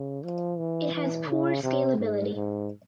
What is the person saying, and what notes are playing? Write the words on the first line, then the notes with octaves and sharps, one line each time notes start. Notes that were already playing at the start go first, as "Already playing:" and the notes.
It has poor scalability.
Already playing: C#3
F3
E3
E3
C#3
C3
G#2
G#2